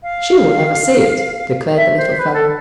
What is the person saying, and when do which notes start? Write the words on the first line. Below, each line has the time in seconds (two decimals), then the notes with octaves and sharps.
"She will never see it," declared the little fellow.
0.03 F5
1.76 E5
1.97 C5
2.19 B4
2.34 A4